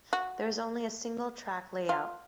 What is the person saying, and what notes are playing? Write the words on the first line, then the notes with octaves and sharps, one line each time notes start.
There is only a single track layout.
F#4
F4